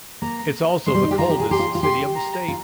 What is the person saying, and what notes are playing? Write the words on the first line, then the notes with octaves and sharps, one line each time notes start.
It's also the coldest city of the state.
A#3 A#5
G#3 C6
G3
D#4
G4
F4 A#5
G4
G#4
G4 C6
F4
F4
G4 C6
A#5
F4